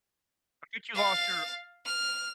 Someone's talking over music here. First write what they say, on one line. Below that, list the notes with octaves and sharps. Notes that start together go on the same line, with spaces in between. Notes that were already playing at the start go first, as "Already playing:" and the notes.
I think you lost your,
F5 A6
F6